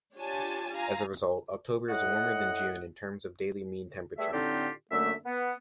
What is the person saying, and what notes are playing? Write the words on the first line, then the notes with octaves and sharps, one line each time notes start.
As a result, October is warmer than June in terms of daily mean temperature.
D4 F4 G4 C#5 G#5 A5
F4 F5 G#5 A#5
A2 D#5 F#5
G3 A3 G#4 B4 E5
A2 D3 C4 D#4 F4 G4
F#2 D3 A3 A#3 E5
B3